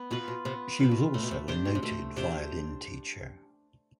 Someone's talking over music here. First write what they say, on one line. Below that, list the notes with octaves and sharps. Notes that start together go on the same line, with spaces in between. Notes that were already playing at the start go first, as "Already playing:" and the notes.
She was also a noted violin teacher.
Already playing: B3
B2 F4 B4
B2
C3 B3
C3 F4 B4
B2
A2 A3
B2
C3
C3 D4 G4 C5
B2
C3
B2 A3
C3 D4 G4 C5